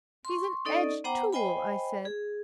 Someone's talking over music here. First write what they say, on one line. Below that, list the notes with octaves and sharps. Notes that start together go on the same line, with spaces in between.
'He's an edged tool,' I said.
C6 C#6
C#4 D#4 A4 D5 D#5
B3 C5 F#5 G5 A#5 D6
C5 D#5 G5 G#5 B5
G#4